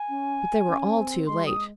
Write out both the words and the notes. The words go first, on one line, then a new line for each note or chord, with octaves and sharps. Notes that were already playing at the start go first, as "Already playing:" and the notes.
But they were all too late.
Already playing: G#5
C#4
C#4
C4
G#3 C6
G3
D#6
G#3